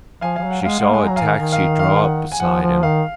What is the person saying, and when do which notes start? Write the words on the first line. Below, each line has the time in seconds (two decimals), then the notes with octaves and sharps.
She saw a taxi draw up beside him.
0.21 F3 F5 G#5
0.36 F3 F5 G#5
0.44 F#3
0.51 F#5
0.62 F#3
0.65 G#3 F5
0.80 G#3 F#5
0.90 A#3
0.94 G#3 G#5
1.06 F#3 A#5
1.16 F5 G#5
1.23 D#3
1.38 D#3
1.52 F5
1.79 F5
1.96 F#5
2.32 G#5
2.39 F3 F#5
2.62 F3
2.83 D#3 F5